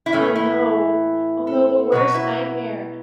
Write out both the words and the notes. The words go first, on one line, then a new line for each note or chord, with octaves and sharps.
Oh, no. Oh, no, the worst nightmare.
E4
A2 E3 A3 C#4
E4
A4
B2 F#3 B3 F#4
E4